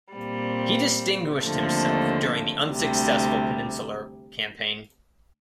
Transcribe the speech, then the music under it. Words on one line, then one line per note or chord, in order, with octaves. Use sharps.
He distinguished himself during the unsuccessful Peninsular Campaign.
A#2 G3 C4
D#2 D3 F3 A3 C4
D2 C3 G3